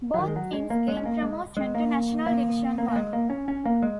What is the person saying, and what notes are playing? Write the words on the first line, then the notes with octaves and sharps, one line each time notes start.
Both teams gained promotion to National Division One.
F#3
D#3
G#3
F#3
G#3
A#3
G#3
C#4
A#3
G#3
G#3
A#3
A#3
A#3
A#3
G#3
A#3
C#4
C#4
A#3
G#3